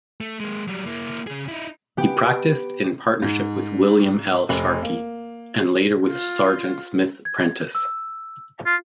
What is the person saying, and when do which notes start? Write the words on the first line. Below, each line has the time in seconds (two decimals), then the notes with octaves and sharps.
He practiced in partnership with William L. Sharkey, and later with Seargent Smith Prentiss.
0.21 A3
0.40 G#3 A#3
0.68 F#3 G3
0.86 A#3 E4
1.27 C#3 G#4
1.48 D#4 E4
1.97 B3 G4
3.22 G#2
4.49 F1
4.82 A#3
6.07 F4
7.25 G#6
7.75 E6
8.66 F4